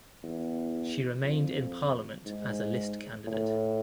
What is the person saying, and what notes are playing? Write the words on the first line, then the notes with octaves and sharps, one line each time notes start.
She remained in Parliament as a list candidate.
E2
F2
G#2
A2